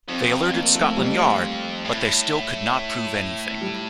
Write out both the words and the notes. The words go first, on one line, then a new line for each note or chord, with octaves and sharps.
They alerted Scotland Yard, but they still could not prove anything.
F2 C4
A#3
A3
G3
A2
G3